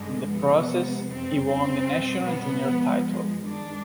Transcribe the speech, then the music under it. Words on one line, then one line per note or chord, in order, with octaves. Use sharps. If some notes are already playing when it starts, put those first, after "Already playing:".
In the process he won the national junior title.
Already playing: G2 D3 G#3
C3 F3 G#3 B3
F2 C3 G3 C4
C4
B2 G3
B3
G2 F3 G#3
G#3
G2 D#3 G#3 D4